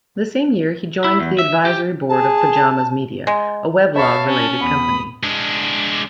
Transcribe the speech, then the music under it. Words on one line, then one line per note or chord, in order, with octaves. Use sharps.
The same year he joined the advisory board of Pajamas Media, a weblog-related company.
E4
E2
E5
G4
G#4 A5
G#3
C#5 E5 F5 A5 B5 C#6
C#4
E2 B5 D#6
G#3 D4